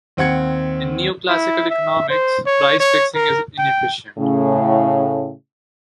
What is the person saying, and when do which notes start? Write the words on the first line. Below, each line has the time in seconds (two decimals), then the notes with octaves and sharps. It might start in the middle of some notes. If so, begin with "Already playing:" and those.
In neo-classical economics, price fixing is inefficient.
0.17 D#2 C4 F#5 G#6 C#7
1.29 E4
1.70 E5
2.09 C5
2.46 C#5
2.80 C#5
3.15 A#4
3.58 G5
4.19 A2 C#3